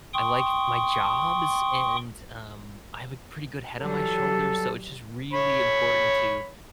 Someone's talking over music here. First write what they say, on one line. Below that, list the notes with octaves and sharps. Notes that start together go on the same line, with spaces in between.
I like my jobs, and, um, I have a pretty good head on my shoulders, so it's just really important to
G5 C6 C#6 D#6
E3 F#3 G3 A4
C#5 B5